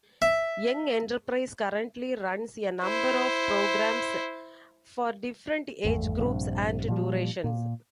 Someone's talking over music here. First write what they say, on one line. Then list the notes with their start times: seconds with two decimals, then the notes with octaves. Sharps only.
Young Enterprise currently runs a number of programmes for different age groups and durations.
0.22 E5
2.82 E4 C5
5.84 G#1 E2 G2 A3
6.19 A#1 G2 C3
6.88 A#2 F3 G3
7.44 A#2